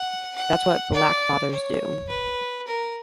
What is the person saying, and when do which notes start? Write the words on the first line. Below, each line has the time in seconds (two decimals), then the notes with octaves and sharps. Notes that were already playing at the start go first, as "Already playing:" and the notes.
That's what black fathers do.
Already playing: F#5
0.35 F#5
0.93 D5
1.51 C#5
2.09 B4
2.67 A#4